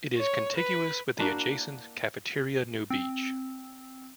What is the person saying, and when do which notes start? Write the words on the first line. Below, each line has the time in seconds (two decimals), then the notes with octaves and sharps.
It is contiguous with the adjacent Cafeteria New Beach.
0.17 C#5
0.56 B4
1.18 A#3 D4 E4 F#4
2.90 C4